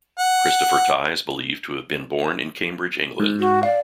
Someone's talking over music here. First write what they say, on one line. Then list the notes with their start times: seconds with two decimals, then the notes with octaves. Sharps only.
Christopher Tye is believed to have been born in Cambridge, England.
0.19 F#5
3.20 G#2
3.39 F#4
3.63 D5 F5